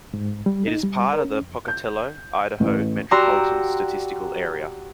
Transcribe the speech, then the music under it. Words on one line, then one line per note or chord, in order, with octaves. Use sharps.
It is part of the 'Pocatello, Idaho Metropolitan Statistical Area'.
G#2
G3
D#4
G3
A#4
C#4
F2
G6
A1
F#4 G4 D5 A#5 C6 E6